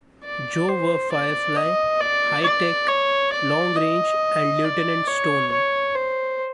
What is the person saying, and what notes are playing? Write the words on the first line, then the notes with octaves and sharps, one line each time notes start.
Joe were Firefly, Hi-Tech, Long Range and Lieutenant Stone.
D5
C5
D5
D#5
D5
D5
C#5
D5
D#5
D5
C#5
C#5
C5